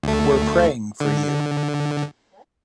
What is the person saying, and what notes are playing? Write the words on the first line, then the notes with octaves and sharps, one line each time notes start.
We're praying for you.
D2 A3
D3